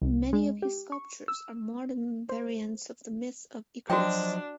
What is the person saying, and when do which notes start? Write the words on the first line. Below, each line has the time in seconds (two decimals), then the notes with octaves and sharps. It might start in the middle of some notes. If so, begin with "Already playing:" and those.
Many of his sculptures are modern variants of the myth of Icarus.
0.01 C2
0.33 G#3
0.62 G4
0.92 C#6
1.28 E6
2.29 C5
3.90 F3 F#3 D4 F#4 C5 D#5 G5